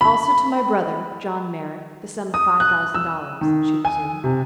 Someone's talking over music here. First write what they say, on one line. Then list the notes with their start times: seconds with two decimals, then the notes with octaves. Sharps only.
"Also to my brother, John Merrick, the sum of five thousand dollars," she resumed.
0.01 B5
2.34 D#6
2.60 F#6
2.95 E6
3.41 D#3
3.85 G#5
4.24 C3